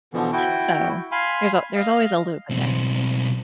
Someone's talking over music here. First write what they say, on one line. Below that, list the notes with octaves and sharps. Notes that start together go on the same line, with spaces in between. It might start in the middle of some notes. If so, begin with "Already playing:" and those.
So, there's a there's always a loop in there.
B2 D3 E3 F3 B3
E4 F#4 G5
F5 G#5 B5 C6
D#5 F5
B1 C4